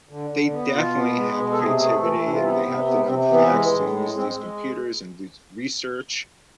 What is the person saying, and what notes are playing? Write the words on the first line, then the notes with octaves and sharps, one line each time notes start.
they definitely have creativity and they have to know the facts to use these computers and do research.
D3
D3
B3
B2 F4
B3
G#3
B2
A4
C3 G#4
A3 G#4
E3 A4
C3 D4
F4
B3 E4
C3 C4
B3
B3
C3 C4
E3 B3
G#3
A2
G#3
G#3 C4
G#3